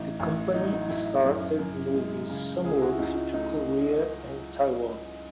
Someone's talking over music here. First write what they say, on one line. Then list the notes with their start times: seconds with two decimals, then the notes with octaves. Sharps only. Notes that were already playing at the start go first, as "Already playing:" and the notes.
The company started moving some work to Korea and Taiwan.
Already playing: A1 D#4
0.20 A1
0.54 F#3 D#4
0.63 E4
0.73 D#4
0.89 A2 E4
1.25 F#2
1.59 F#2
1.94 G#3
2.29 C#3
2.64 C#2 G#4
2.77 E4
2.82 F#4
2.92 E4
2.99 C#2 D#4
3.16 D#4
3.34 A3 D#4